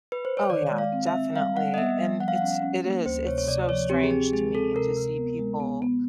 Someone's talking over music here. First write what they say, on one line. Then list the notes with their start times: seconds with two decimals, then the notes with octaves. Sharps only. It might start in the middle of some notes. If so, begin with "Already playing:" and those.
Oh yeah, definitely, and it's it is, it's so strange to me to see people,
0.12 B4
0.25 C5
0.37 C#5
0.50 D#3 D5
0.71 G#3
0.78 F5
0.92 C4
1.07 E5
1.14 C4
1.34 G3 F5
1.56 G3 F#5
1.74 D#5
1.77 B3 E5
1.99 G3
2.20 F3 F#5
2.28 F5
2.36 F#5
2.42 C#4
2.62 C#4
2.84 A#3
3.06 D2 C5
3.26 C3 C#5
3.38 C#5
3.47 C3 D5
3.69 F3 C#5
3.90 C4 G4
4.04 G#4
4.11 C4 G4
4.32 G#3 G#4
4.54 C4 A4
4.75 C3 A#4
4.97 C3
5.18 B3
5.39 G#3
5.60 B3
5.82 B3